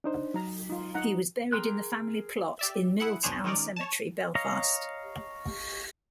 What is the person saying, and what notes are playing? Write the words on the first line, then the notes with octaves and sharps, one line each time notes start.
He was buried in the family plot in Milltown Cemetery, Belfast.
D4 D#4 C5
F#3 D#4 A#5
D#4 F4
D#4 F#5 A#5
G#4 A#4 G5 C6 F#6
G4 D5 E5
E4 G#4 F#5
B1 E2 D4 G#4 C5 C#5
D#3 G#3 C#4 D#4 A#4 D5
C#5 A5
C#5 D#5 F5 A#5